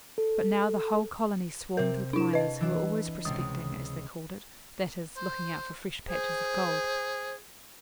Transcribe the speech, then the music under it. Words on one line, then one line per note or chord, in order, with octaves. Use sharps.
But now the whole colony swarmed with miners, who were always prospecting, as they called it--that is, looking out for fresh patches of gold.
A4
C3 C4 A#4
D4 E4 D7 E7
B4 D#5
E3 D4
C#2 C3 D#6
C5
G#4 C5